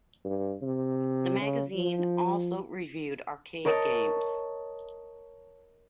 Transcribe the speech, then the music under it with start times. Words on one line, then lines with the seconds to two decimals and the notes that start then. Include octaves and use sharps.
The magazine also reviewed arcade games.
0.25 G2
0.62 C3
1.41 C#3
1.75 F3
3.65 A#4 C#5 D#5 A5